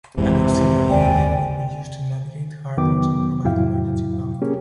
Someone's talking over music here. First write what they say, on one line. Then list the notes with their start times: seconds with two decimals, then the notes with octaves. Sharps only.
An auxiliary engine will be used to navigate harbors and provide emergency power.
0.17 G#1 F2 C3 E3 G#3
0.90 D#2 D5 G5 G#5
2.77 F2 D#3 F#3 B3 G5 D6
3.44 F2 A2 F#3 E4 F5 G5
4.42 A#3 C#4 G4 G#4